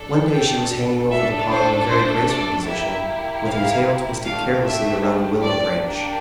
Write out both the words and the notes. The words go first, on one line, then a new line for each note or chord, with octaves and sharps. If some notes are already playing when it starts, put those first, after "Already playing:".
One day she was hanging over the pond in a very graceful position, with her tail twisted carelessly around a willow branch.
Already playing: D4 A4
G5
A3 D4 A4 E5
C5
C5
D5
A#3 E4 G4 E5
F5
A3 D4 G4 F5
E5
D5
A#3 D4 G4